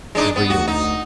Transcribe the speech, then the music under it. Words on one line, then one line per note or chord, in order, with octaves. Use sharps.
Ever yours.
G#3 D4 D#4
B3
D2 F#4
D#4